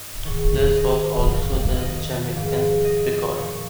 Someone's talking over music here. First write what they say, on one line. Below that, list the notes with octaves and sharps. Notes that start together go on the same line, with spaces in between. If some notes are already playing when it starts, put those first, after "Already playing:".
This was also the Jamaican record.
Already playing: G2 D#5
G#2 D#3 C#5
D#5
F2 D#3
D#5
G#2 F3
D#5
A#2 F3 C#5